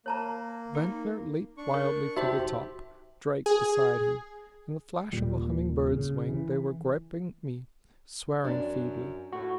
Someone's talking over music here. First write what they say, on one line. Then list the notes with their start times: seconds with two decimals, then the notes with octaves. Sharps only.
Ventnor leaped wildly for the top, Drake beside him; in the flash of a humming-bird's wing they were gripping me, swearing feebly.
0.06 A#3 C#5 A5 A#5
0.75 D#4
1.57 D4 C#6
1.74 A#4
2.17 D#4 F#4 G4 C5 E5 C6
3.46 G#4
5.13 D#1 A#2 G3
5.92 C#3
6.28 E3
8.44 F#2 D4
9.33 A2 F#4